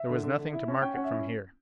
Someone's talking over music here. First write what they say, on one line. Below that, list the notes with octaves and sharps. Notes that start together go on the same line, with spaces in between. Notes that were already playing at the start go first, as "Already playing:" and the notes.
There was nothing to mark it from here.
Already playing: E5
D3
D3
D3
E4
C#4
C#4 G5
C#4 F#5
E5
E4